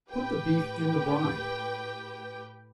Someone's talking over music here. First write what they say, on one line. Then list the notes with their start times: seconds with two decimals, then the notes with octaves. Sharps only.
Put the beef in the brine.
0.10 A2 G4 B4 G5